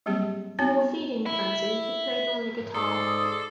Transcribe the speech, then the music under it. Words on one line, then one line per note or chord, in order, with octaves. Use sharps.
For "Feeding Frenzy", he played only guitar.
F#3 G3 A#3 C4 G4 G#4
B3 C4 D#4 F#4 C#5
E5 B5
G#2 A4 D5 C6 D#6